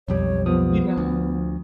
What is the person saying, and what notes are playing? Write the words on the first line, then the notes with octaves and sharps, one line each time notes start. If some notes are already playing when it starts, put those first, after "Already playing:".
You know
B1 F2 G3 C#5
F3 B3 D#6
D2